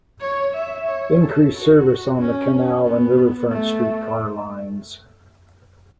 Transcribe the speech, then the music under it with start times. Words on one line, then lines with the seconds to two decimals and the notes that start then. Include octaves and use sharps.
Increase service on the Canal and Riverfront streetcar lines.
0.21 C#5
0.54 E5
0.87 C#5
1.20 A4
1.53 F#4
2.19 C#4
2.85 B3
3.52 A3